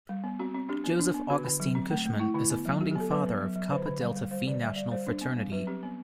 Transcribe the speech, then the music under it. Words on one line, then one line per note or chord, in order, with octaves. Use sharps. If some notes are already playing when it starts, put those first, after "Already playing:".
Joseph Augustine Cushman is a founding father of Kappa Delta Phi National Fraternity.
G3
B3
C4 F#4
C4
D4 G4
B3
D4
B3
D3 F#4
D3
F#3
C4
A3
A3
A3 E4
D3 E4
B3
F#3
F#3 F#4
G4
B3 A4
F#3 B4
B3
F#3
F#3
D3 C5
D3
G3
G3
G3 C5
D3 D5
G3 E5
G3 D5
G3 C5
D4
B3
G3
F#3 B4
C4 G4
B3